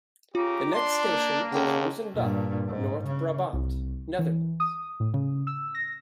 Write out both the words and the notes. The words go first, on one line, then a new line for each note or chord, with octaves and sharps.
The next station is Roosendaal, North Brabant, Netherlands.
C#3 F4 G4 A#5 D6
D4 C6 D6
A#3
D#2 C#3 F#5 G5 A5
G2 A#2
G#2
C#3
C2
E3
D#6
A2
C#3
E6
A#6